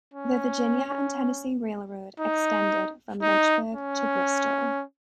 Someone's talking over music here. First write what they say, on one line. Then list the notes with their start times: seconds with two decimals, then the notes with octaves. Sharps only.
The Virginia and Tennessee Railroad extended from Lynchburg to Bristol.
0.14 C#4
2.20 D#4
3.22 D#4
3.75 C#4